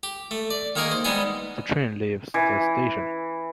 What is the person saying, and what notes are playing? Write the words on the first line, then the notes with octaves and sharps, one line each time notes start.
The train leaves the station.
G4
A3
D5
D#3 A#3 D#4 G#4 A#4
C5
G3 G#3 B3 D#4 G#4 D#5
E3